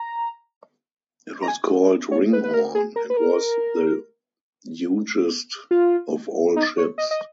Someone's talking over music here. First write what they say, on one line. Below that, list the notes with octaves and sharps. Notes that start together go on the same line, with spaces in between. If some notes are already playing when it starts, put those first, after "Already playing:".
It was called Ringhorn, and was the hugest of all ships.
Already playing: A#5
A#5
G#5
C#5
B4
B4
A#4
G#4
A#4
B4
A#4
F4
D#4
C#5
D#5
D#5